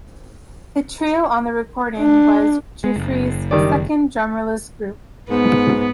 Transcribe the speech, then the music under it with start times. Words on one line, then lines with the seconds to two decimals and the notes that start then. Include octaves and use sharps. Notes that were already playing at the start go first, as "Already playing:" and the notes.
The trio on the recording was Giuffre's second drummerless group.
1.97 D4
2.84 G#3
2.96 F#1
3.51 D#3 G3 D5
5.30 G#2 B3